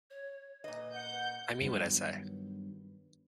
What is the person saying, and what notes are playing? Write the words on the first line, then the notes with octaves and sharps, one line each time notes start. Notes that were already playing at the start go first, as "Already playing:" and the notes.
I mean what I say.
C#5
A#2 B4 D#5
F#5 G6
G2 D#3 F#3 B3